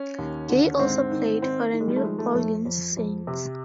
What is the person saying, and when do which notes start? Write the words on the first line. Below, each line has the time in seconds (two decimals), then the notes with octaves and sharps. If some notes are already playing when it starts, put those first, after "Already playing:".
Gay also played for the New Orleans Saints.
Already playing: C#4
0.19 D#2
0.49 D3
0.79 G#2 C4
1.11 D#3
1.42 D#3 C4
1.73 D#3
1.80 G#3
1.88 G3
1.96 A3
2.03 F3 G#3
2.18 A3
2.34 F2 A3
2.65 F2
2.97 F2
3.27 C3